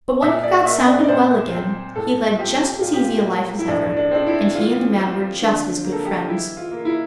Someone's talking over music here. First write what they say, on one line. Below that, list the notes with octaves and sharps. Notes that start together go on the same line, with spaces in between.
But when he got sound and well again, he led just as easy a life as ever, and he and the man were just as good friends.
A#2 E5
D5
A#3 E5
D5
D5
A#2 C5
C4
A2 A4
F4
C4 G4
A#2 F4
G4
F4
A#3
E4
A2 D4
D4
C4 D4
E4
E3 F4
C4
D3
A#3
A4
G4
F4
E3 E4
F4
A#3
E4